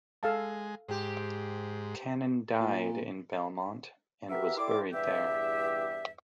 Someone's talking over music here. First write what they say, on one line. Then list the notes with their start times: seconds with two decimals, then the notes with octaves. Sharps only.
Cannon died in Belmont and was buried there.
0.23 G#3 A4 F5 A5
0.89 G#2 C4 G4
2.60 A#2
4.30 F#4 G4 A#4 B4 E5
4.57 E4 A4 D5 G5 C6 D6
4.92 E2 G2 G4 E5